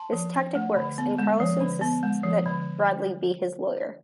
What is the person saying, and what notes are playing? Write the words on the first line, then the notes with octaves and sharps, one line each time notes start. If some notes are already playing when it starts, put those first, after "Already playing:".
This tactic works and Carlos insists that Bradley be his lawyer.
Already playing: A5 C6
F3
C4
A3
D3
B3
G#3
F3
D3
B3
G#3
F3
D3